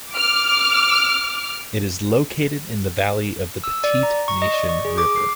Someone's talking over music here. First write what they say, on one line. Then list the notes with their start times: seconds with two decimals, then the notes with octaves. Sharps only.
It is located in the valley of the Petite-Nation River.
0.11 D6 F6
3.64 E6
3.84 D5
4.03 A#5
4.28 C#6
4.42 D#5
4.54 D5
4.69 C#6
4.85 G#4
4.98 D6
5.16 C7